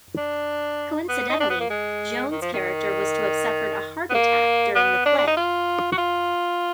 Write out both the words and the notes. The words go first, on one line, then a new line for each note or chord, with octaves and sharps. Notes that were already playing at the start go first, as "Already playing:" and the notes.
Coincidentally, Jones's character was to have suffered a heart attack during the play.
D4
B3
D#4
D4
B3
A#3
G#3
D#3
F3
D#3
B3
A#3
B3
D4
D4
D#4
F4
F#4
F4